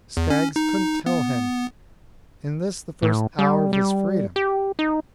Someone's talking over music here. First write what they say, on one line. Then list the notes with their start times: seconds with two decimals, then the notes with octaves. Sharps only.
Skaggs could n't tell him, in this the first hour of his freedom.
0.17 E2
0.30 C#4
0.56 D#4
1.06 B3
3.02 A2
3.39 G3
3.73 G3
4.36 G4
4.79 D#4